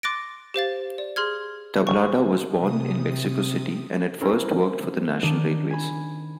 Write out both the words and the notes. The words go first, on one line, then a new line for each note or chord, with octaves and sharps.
Tablada was born in Mexico City and at first worked for the national railways.
C6 D6 F#6 A6 A#6 D7
G4 C5 F5 A6
D5
G#4 C6 F6 G#6
C#6
C3 D#6
C4 C#4 E4 A#4 C5
D#3 D4
G#5 B5